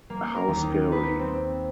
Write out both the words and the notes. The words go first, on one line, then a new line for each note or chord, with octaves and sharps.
How scary!
A#3
A#4
D#2
D#4
B4
C4